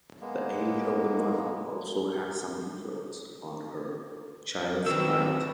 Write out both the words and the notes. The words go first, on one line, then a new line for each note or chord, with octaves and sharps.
The age of the mother also has some influence on her child's height.
G#3 A#3 B3
D#3 F3 F#3 C4 B4 E6